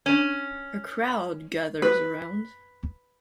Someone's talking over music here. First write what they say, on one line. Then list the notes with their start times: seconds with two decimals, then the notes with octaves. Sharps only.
A crowd gathers around.
0.06 C#4
1.82 B4